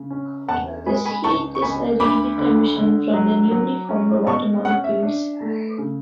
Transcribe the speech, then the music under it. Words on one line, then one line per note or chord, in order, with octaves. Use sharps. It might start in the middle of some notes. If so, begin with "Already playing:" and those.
This heat is a radiant emission from the newly formed water molecules.
Already playing: C#3
C#4
E2 F#5 A5
G#3 G#5 B5
G#5 B5
C#2 A5 C#6
C#6
C#2 G#5 B5
D2 B5 D6
D3
D3
F#3
F#3
C#4
B2 A5 C#6
C#4 F#5
E5
D4
A3
C#3